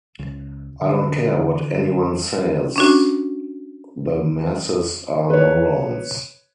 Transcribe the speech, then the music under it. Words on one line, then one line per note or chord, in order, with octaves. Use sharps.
I don't care what anyone says, the masses are morons.
C#2
D3
C#4 D4 F#4
B4 C#5